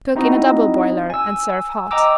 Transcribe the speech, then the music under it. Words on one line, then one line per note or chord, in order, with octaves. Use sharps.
Cook in a double boiler and serve hot.
C4 D#4 E4 F#4 D#5
G#5 E6
D#5 G5 A#5 D6 E6